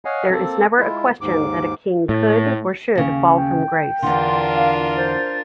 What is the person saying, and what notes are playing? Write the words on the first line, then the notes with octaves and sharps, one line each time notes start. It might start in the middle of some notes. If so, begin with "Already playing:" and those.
There is never a question that a king could or should fall from grace.
C#5 D#5 F5 F#5 G#5
A#3 C4 A4
G#3 E4 F4
D#2 G#2 D6
A2
D#2 C#3
G5
E2 D3 D4 F4 A#4 C6
F5
C5 A6